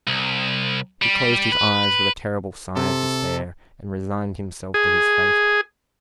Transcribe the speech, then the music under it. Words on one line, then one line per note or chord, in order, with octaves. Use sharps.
He closed his eyes with a terrible sigh of despair, and resigned himself to his fate.
C2
G3
B4
C3 A4
G#4